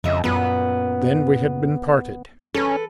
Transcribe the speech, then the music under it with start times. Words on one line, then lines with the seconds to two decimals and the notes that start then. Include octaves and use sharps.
Then we had been parted.
0.04 F2 C#3 D#5 E5
0.24 F#2 A#2 B3 B4
2.54 C#4 A4 B4